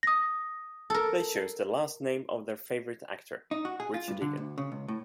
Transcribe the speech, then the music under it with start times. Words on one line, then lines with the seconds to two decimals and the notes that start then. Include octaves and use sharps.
They chose the last name of their favorite actor, Richard Egan.
0.03 D#6 A#6
0.90 A4 A#4
3.51 D#4
3.65 F#4
3.80 G#4
3.94 F4
4.08 G2
4.22 D3
4.37 D2
4.58 C#3
4.72 C#2
4.88 A2